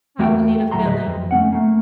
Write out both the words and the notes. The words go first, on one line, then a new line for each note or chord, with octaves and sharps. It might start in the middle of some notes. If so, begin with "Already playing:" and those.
I will need a filling.
E2 A3 F#4 E5 G5
D2 A2 F#3 E5 A#5 C6
B4 D#5 E5
F2
A3 A#3 C#4 F#5
A3 A#3